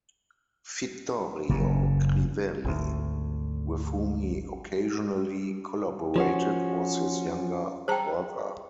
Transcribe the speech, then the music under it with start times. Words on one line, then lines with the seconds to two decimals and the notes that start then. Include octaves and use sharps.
Vittorio Crivelli, with whom he occasionally collaborated, was his younger brother.
1.49 F#1 F#2 C#3
2.65 G#1 D2
6.16 F3 C#4 F#4
7.88 G#4 C5 G5 A5 A#5